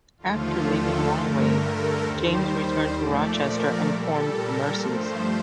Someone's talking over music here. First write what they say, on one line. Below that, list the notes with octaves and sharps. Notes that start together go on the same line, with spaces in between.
After leaving Longwave, James returned to Rochester and formed the Mercies.
D#2 D3 F3 A3 F4
A4
G2 D3 A3 A#4
A4
D#2 D#3 G3 C5
A#2 F3 A3 D5
A#4
A#2 G3 A4
A#4
G2 F3 A3 C5